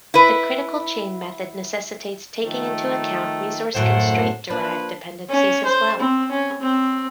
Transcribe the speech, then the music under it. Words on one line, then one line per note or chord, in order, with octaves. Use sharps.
The critical chain method necessitates taking into account resource constraint-derived dependencies as well.
E4 B4
D#3 F3 A3
F#2 A2 D3 A3 C5 F#5
F3 A#3 D4 B4
C#4
C5
C4
C#4
C4